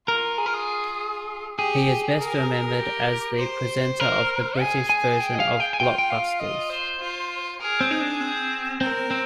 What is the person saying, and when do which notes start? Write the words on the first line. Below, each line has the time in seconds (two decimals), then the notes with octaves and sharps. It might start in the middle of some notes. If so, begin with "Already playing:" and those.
He is best remembered as the presenter of the British version of "Blockbusters".
0.08 F4 A#4
0.38 G#4
0.46 A#4
0.54 G#4
1.58 G4 G#4
2.19 A#4
2.79 G4
3.39 C5
4.00 A#4
4.59 G#4 G#5
4.90 G#5
5.20 G5
5.35 D#5
5.40 F5
5.60 G5
5.73 G#5
5.80 F4 G5
5.98 G5
6.10 F5
6.40 D#5
6.70 C5
7.00 F4
7.60 G#4 A#4
7.81 C4
7.91 D#4
8.01 D4
8.21 C4
8.81 C4 A#4
9.11 C4